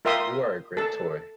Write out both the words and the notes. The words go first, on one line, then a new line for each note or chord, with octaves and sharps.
You are a great toy!
F4 A#4 E5 G5 C6 D#6
A4 A5